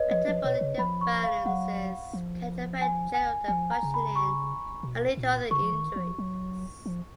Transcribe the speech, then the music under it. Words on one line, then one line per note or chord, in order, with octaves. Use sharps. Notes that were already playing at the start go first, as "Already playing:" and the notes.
Metabolic imbalances can affect general functioning and lead to other injuries.
Already playing: B4 C#5 D#5
F3 D#5
F3
B2 C#5
C#3
F3 B5
C#6
F5
F#3 F#5
F3
G#5
G#5
F3 G#5
A#5
C#3
B5
C#6
B2
A#2
C#3 C#6
F3
D#3
F3
F#3
F3